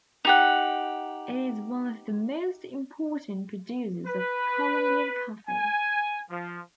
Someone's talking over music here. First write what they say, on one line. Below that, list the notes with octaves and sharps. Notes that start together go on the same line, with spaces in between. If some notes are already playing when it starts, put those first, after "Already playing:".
It is one of the most important producers of Colombian coffee.
D#4 G4 F#5
B4
G#5
F3